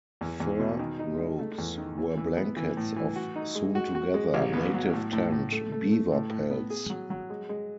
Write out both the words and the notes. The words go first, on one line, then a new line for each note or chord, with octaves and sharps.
Fur robes were blankets of sewn-together, native-tanned, beaver pelts.
E2
E2
B2
D#3
D#4
G#3
A3
E2
D#3
E3
E3
B3
E3
A2
E3
F#4
D#4
G#3
F#4
F#4
G#3
A1
B3
F#3
A2
A2
A2
A3
A3
A3
A2
A2
B3
G#4
F#3
F#3
G#3
G#3